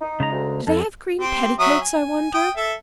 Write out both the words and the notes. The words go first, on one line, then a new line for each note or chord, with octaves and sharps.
Do they have green petticoats, I wonder?
D#4
C#3 G#3 A#5
D2
F2 A4
C4 G4
F#3 E5 D#6
G#5
G5 D#6
A4 E5